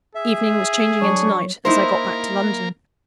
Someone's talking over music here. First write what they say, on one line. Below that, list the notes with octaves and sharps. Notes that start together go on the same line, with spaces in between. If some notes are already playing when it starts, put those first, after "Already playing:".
Evening was changing into night as I got back to London.
G#4 E5
F#3 D4 C#5 C#6
A#3 D#4 E4 A#4 C5